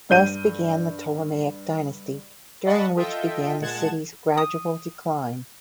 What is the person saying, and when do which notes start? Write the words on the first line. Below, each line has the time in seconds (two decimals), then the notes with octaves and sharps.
Thus began the Ptolemaic dynasty, during which began the city's gradual decline.
0.10 G2 G6 D#7
2.66 D5 D#5 F#5 A5 B5 C#6
2.96 F4 A4 D#5 E5 G5
3.61 A#2 G#3 F#5 A5 G#6 E7
4.37 D#6